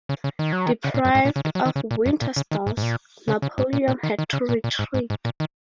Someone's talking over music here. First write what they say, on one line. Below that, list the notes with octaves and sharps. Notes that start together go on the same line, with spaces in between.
Deprived of winter stores, Napoleon had to retreat.
C#3
C#3
D#3
F#3
D#3
C#3
A#2
F#2
G#2
A#2
C#3
D#3
F#3
D#3
C#3
A#2
F#2
A#2
C#3
D#3
G#2
G#2
A#2
C#3
C#3
G#2
A#2
A#2
D#3
D#3
C#3
A#2
A#2
G#2
G#2
G#2
A#2
D#3